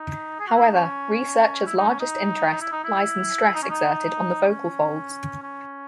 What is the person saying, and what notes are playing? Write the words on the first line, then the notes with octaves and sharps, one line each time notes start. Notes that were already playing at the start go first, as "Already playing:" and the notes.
However, researchers' largest interest lies in stress exerted on the vocal folds.
Already playing: D#4
G#4
F#4
E4
D#4
C#4
E4
D#4
C#4
D#4
E4
D#4
E4
D#4
C#4
D#4
C#4
C#4